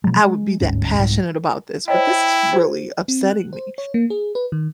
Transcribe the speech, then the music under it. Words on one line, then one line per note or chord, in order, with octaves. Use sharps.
I would be that passionate about this, but this is really upsetting me,"
B2 F3 F#3 G#3
G#3
G1 D2 G#2 C#4
C2 G#2
E4 C5 C#5 D#5 G5
F4 G#4 C5
C4
F#6
C5
C#5
A#3
G#4
B4
D#3